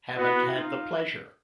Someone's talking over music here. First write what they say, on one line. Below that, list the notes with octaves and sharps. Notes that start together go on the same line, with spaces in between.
Haven't had the pleasure.
B3 E4 F#4
D#4 F4